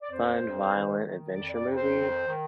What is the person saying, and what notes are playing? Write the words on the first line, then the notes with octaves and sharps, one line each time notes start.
fun, violent adventure movie
D5
F2 C5
F2
D#3
D#3
F2 D5
D5
F2
C5
D#3
D#3